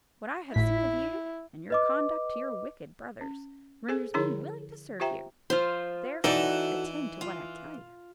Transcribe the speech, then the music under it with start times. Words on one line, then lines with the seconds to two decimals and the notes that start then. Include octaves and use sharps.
What I have seen of you, and your conduct to your wicked brothers, renders me willing to serve you; therefore, attend to what I tell you.
0.54 G#1 A2 E4 B6
1.70 B4 D#5 D6
3.21 C#4
3.89 G#4 A4 C5 G#5
4.14 D3 F3 E4 G#4 C#5 A#5
5.00 F4 G4 C5 E5 G5 A#5
5.50 F3 F4 C5
6.24 E3 D#4 F#4 A4 D5 E5
7.21 F4